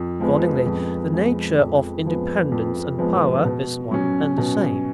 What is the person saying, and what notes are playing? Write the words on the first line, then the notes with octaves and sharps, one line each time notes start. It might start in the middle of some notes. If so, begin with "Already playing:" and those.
'Accordingly, the nature of independence and power is one and the same.'
Already playing: F2
F3 G#3 B3
F2
F3 G#3 B3
F2
F3 G#3 B3
F2
F3 G#3 B3
B2
F#3 C#4
B2